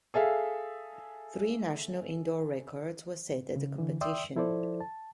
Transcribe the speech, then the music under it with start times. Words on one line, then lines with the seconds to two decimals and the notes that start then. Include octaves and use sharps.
Three national indoor records were set at the competition.
0.14 G#4 A4 E5 F5
3.56 C#3
3.78 D3 E3
4.01 D5 E5 G5 C6 D#6 E6
4.36 F3 E4 A4 C5 D5
4.81 A5